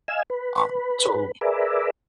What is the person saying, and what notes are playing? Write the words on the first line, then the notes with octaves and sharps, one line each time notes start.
Um, so
D#5 F5 G#5 E6
B4
G#4 A#4 B4 D5 E5